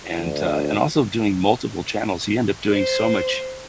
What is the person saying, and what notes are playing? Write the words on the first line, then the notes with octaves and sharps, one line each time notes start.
and, uh and also doing multiple channels, you end up doing so much
D2
C5